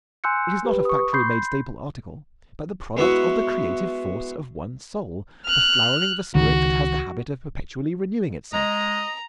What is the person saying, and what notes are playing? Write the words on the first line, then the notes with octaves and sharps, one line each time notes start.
It is not a factory-made staple article, but the product of the creative force of one soul, the flowering of a spirit that has the habit of perpetually renewing itself.
G#5 C6 E6 F#6 G6 C#7
G4 B4
C#6 D#6
B5 C6 G6 C7
G#3 B3 E4 F#4
F6 F#6
C#2 D#3 F#4
G#3 D#5 A#5